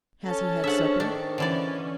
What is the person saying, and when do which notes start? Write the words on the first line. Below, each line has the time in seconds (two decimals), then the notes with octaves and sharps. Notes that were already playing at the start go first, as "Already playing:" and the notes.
Has he had supper?'
0.24 C#4 A4 A5
0.64 D4 G#4 C5 E5 F#5
1.00 D#3 D4 C5
1.38 D3 E3 C#4 D5